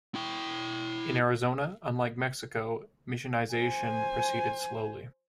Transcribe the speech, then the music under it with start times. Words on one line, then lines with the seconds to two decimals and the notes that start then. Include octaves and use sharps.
In Arizona, unlike Mexico, missionization proceeded slowly.
0.15 E4 G5
3.53 C5 G#5